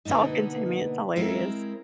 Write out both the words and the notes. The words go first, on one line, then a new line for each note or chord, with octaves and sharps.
talking to me, it's hilarious.
B2 D3 A#3 B3 D#4
G#3 C4 E4 A#4